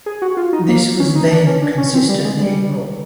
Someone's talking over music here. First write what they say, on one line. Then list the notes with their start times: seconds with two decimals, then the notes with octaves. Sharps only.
This was then consistently ignored.
0.06 G#4
0.22 F#4
0.37 F4
0.53 D#4
0.68 A#3
0.99 C#4
1.15 D#4
1.31 D4
1.46 C#4
1.62 D4
1.78 C#4
1.94 C4
2.09 G3
2.25 G#3
2.41 G3